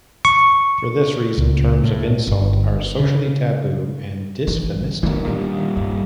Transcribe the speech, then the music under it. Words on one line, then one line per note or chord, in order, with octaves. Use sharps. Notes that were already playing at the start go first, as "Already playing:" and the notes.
For this reason, terms of insult are socially taboo and dysphemistic.
C#6
C#2
A2
G1
C#3
A1 E3
E2 A2 D#3 E3 D4
A#2 G3
G2